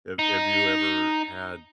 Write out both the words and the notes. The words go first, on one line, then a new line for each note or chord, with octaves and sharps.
Have have you ever had,
D#4